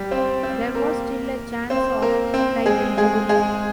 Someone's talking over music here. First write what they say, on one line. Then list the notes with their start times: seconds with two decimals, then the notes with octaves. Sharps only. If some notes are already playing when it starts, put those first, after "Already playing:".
There was still a chance of title glory.
Already playing: G3 G4
0.11 C4 C5
0.43 C4 C5
0.75 A#3 A#4
1.70 C4 C5
2.02 A#3 A#4
2.34 C4 C5
2.66 G#3 G#4
2.98 G#3 G#4
3.29 G#3 G#4